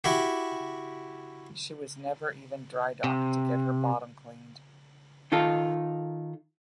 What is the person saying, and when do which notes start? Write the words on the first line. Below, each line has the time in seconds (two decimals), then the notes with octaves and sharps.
She was never even drydocked to get her bottom cleaned.
0.04 E4 F#4 G4
3.04 C3
5.32 D#3 D#4 F4 A4